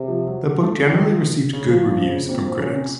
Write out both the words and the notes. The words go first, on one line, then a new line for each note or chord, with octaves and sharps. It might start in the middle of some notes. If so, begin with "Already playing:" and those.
The book generally received good reviews from critics.
Already playing: C3
F3
F#3
F#3
A3
C#3
D#3
F3
A#2
C#3
A#2 F3
A#2
C#3
A#2 C4
A#2
A#2 C#4
C3